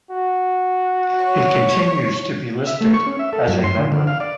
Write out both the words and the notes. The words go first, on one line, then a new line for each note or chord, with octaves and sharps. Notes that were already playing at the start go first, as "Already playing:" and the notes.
He continues to be listed as a member.
F#4
C#5
E5
A3
C#6
C#4
E5
A4
F#2
C6
D3
D3
F5
D5